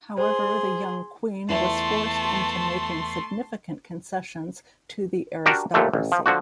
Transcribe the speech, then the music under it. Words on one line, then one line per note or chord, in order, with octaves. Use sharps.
However, the young queen was forced into making significant concessions to the aristocracy.
G#4 C5 C6
E2 A3 E4 F4 A5 C6
D4 F#4 G4 A#4
D#2 A#2 D3 A3
A1
F3
D3 F3 F#4